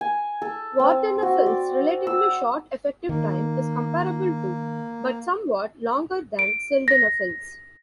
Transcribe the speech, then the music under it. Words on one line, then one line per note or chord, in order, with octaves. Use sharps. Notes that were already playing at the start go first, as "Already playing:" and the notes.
Vardenafil's relatively short effective time is comparable to but somewhat longer than sildenafil's.
G#5
A4
C4
F#4
D5
E6
D#3 A#3
D7
A#6